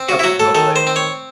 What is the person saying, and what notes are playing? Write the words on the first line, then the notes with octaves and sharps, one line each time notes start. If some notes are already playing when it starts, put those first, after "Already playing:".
Yeah, with Remote Play?
Already playing: C4
F#4
E4
F#3 F#4
A4
D#3 A4
C5
C4
C#5